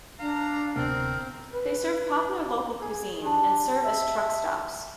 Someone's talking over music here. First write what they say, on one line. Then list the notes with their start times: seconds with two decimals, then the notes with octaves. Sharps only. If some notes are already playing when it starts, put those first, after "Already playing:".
They serve popular local cuisine and serve as truck stops.
0.19 D4 F5 A#5
0.76 D1 C3 B3 C4 A#4
1.53 B4
2.81 G#4
3.23 D4 G4 A5
3.85 E5